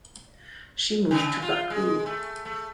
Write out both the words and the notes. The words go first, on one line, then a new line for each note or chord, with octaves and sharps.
She moved to Baku.
C#3
F4
G#3
A3
A3